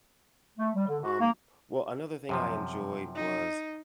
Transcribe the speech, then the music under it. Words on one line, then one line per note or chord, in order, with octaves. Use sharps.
Um, well, another thing I enjoyed was,
A3
G3
D3
F#4
A#3
F#2 C3 F3
D#4